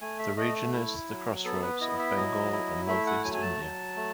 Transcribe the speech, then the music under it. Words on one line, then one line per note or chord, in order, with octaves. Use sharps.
The region is the crossroads of Bengal and northeast India.
A3 G#5
E5
A3 D#5
E4
F#3
B3 A4
B4
E4 D#5
E5
F#3 D#5
E4
A3 E5
F#5
F#3 G#5
G#5
A5
F#3
A3